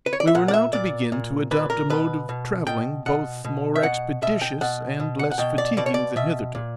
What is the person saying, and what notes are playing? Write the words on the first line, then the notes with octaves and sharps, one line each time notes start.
We were now to begin to adopt a mode of travelling both more expeditious and less fatiguing than hitherto.
B4
C#5
D5
E5
A#2 F#5
D5
E5
A#2 D5
A#2
A#2 B4
A#4
B2 B4
B2
B2 G5
B2 F#5
B2
E5
B2 F#5
B2 E5
G5
B2 F#5
B2
F#5
F#5
B2 G5
D5
B2 D5
C#5
D5
B2 E5
A#2